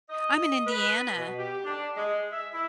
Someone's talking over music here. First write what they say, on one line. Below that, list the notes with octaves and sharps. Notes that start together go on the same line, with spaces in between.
I'm in Indiana.
D#5
B4
B2
G4
D4
G#3
E5
E4